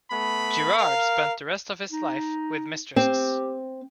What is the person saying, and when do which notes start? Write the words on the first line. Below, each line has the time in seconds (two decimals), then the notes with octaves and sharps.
Girard spent the rest of his life with mistresses.
0.10 A3 B3 B5
0.78 A#4 F5
1.92 D#4
2.96 C4 G4